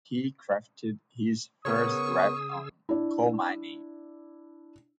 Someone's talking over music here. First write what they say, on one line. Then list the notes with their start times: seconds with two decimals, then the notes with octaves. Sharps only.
He crafted his first rap on "Call My Name".
1.65 C#3 B3 G#4 A#4 C#5 C#6 D#6 E6
2.89 D4 E4